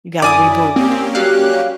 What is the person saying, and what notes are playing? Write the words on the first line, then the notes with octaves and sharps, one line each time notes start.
You gotta reboot.
F#2 E4 D5 G#5 D6 D#6
A#3 C4 C#4 G4
F#3 G3 F5 F#6